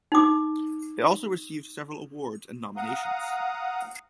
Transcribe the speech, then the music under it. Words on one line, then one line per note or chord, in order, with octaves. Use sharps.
It also received several awards and nominations.
D#4 D6
F5 F#5 A#5 D#6